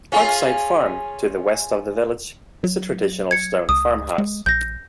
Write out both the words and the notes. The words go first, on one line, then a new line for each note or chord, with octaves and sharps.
Parkside Farm to the west of the village is a traditional stone farmhouse.
C#4 F4 G#4
F#3
G#6 C#7
C#2 D#6
G#3
A#1 G6 A#6